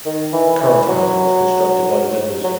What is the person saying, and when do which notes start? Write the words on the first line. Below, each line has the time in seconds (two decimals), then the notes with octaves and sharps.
The current housing was constructed by the members.
0.06 D#3
0.33 E3
0.60 E3
0.88 F#3
2.44 F#3